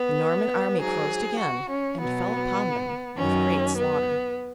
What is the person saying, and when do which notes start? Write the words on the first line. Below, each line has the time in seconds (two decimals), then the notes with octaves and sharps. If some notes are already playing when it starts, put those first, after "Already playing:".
The Norman army closed again, and fell upon them with great slaughter.
Already playing: B3
0.78 G#2 F#3 G#4
1.39 F#4
1.69 C#4
1.99 B2 F#3 B3
3.18 F#2 D#3 F#3 C#4
3.78 B3